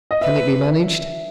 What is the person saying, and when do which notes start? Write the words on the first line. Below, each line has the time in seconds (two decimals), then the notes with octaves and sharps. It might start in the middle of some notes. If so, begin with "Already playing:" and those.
"Can it be managed?"
0.11 D#5
0.21 B4 E5